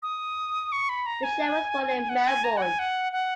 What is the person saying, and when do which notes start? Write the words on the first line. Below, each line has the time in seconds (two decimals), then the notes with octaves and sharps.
Mitchell was born in Melbourne.
0.03 D#6
0.72 C#6
0.89 B5
1.06 A#5
1.23 G#5
2.09 F#5
2.28 G#5
2.44 A#5
2.57 F#5
2.62 G#5
2.79 F#5
3.13 F#5